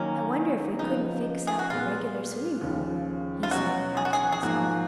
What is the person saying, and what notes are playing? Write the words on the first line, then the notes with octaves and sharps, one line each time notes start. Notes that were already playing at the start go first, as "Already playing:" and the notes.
"I wonder if we couldn't fix up a regular swimming pool," he said, half to himself.
Already playing: D#3 F#3 A#3 C#4
C#3 F3 B3 D#4
G#4
F#4
A#2 G#3 B3 F4
D#2 C#3 F3
F4
B2 F#3 C#4 F#4
G#4
F#4
G#4
G#4
G#2 F3 A#3 F#4